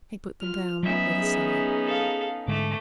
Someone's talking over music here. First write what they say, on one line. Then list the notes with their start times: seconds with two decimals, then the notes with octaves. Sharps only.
He put them down with a sigh.
0.41 F4 F6
0.83 F#3 B3 C#4 D#4 E5
1.21 G#4
1.86 A4 F5
2.48 G#2 D3 G#3 A3 D6